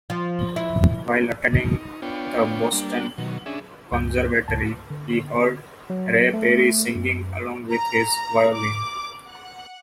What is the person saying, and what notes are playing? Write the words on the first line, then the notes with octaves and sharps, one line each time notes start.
While attending the Boston Conservatory, he heard Ray Perry singing along with his violin.
F3
E4
D#4
B3 D4 F4 C#5 G5
G3 A#3 D4
B2 D#3 F#3
C#4 D4 G#4 E5
C#2 G2 G6
C#2 G#2 A5
D3
F#3
A3
F#2
A#5
D6
F#5